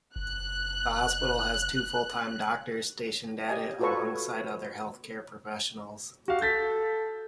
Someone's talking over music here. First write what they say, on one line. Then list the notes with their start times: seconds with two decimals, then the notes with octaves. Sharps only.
The hospital has two full-time doctors stationed at it, alongside other healthcare professionals.
0.16 F#1 F#6
3.48 G4 D#5 G#5
3.79 F4 F#4 A4 B4 C#5 C#6
6.28 F#4 G4 F5
6.41 A4 G6 A6 B6